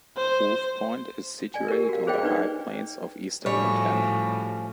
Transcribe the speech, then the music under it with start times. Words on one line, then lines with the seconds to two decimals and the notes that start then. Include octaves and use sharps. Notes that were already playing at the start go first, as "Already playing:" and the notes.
Wolf Point is situated on the High Plains of eastern Montana.
0.17 C5
1.54 D5 G#5
1.68 G4 A#4
1.89 F#4 F5
2.07 G#4 C5 C#5 D#5 F5 G5
2.23 D4 D#4 B4 C#5 D5
3.46 A2 F3 G3 C#4 F#4 C#5